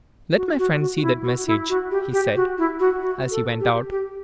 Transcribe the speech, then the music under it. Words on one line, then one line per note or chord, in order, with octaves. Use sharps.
"Let my friend see that message," he said, as he went out.
F#4
F#4
F#4
F#4
E4
F#4
E4
F#4
G4
G4
F#4
E4
F#4
F#4
A4
G4
G4